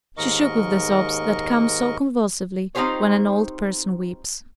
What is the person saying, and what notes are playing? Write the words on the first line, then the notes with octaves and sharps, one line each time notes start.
She shook with the sobs that come so convulsively when an old person weeps.
D#2 G#2 A#4 D#5 C#6
C4 D#4 F4 G4 C5 C#5